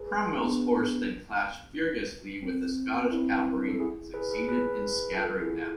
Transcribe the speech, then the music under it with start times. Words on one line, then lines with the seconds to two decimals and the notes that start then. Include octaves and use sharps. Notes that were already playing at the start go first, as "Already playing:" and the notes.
Cromwell's horse then clashed furiously with the Scottish cavalry and succeeded in scattering them.
Already playing: G#4 B4
0.36 B3 D4
2.43 C4
3.11 C4 E4
3.68 A4
3.79 E4 G#4
4.14 G#4 B4
4.31 G#4 B4
4.48 G#4 B4
5.17 F4 A4
5.40 E4 G#4